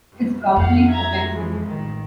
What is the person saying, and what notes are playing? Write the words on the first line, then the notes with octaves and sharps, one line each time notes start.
It's probably offensive.
F2 F5 F#5
E5 A#5 G#6
E3 F3 G#3
A1 D#3